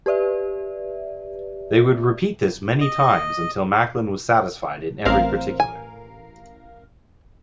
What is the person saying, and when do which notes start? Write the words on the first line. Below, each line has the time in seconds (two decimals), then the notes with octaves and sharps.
They would repeat this many times until Macklin was satisfied in every particular.
0.06 G4 B4 D5 E5
2.81 D#5
5.05 A1 C4 A#4 F5
5.60 G#5